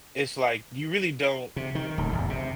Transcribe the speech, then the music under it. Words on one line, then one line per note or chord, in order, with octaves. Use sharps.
it's like you really don't,
C3
D#3
D1
E1
C3